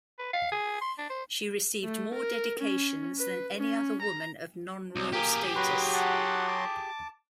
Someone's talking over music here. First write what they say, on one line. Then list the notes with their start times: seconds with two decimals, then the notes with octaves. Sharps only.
She received more dedications than any other woman of non-royal status.
0.19 B4
0.33 F5
0.52 G#4
0.81 C6
0.98 D4
1.10 C5
1.84 A3
2.15 A#4
2.59 C#4
3.19 B4
3.57 C#4
4.02 A#5
4.96 C2
5.13 A#3 G4 G#4
5.56 F#3 F#4 B4 C6
5.94 F#5 A5
6.48 A5 D6